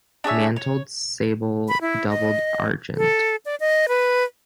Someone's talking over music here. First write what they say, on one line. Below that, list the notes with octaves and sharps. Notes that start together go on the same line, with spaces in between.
Mantled sable doubled argent.
D4 G#4 C#5 E5
C#5
B5
E4
D#5
A4
D5
D#5
B4